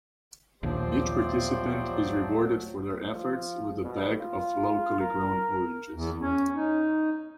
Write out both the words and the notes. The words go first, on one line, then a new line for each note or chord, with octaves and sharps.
Each participant is rewarded for their efforts with a bag of locally grown oranges.
A#1 D#2 F3 F#3 A3 G4 C5 D5
F3
B2
F4
A#4
E2
C#4
D#4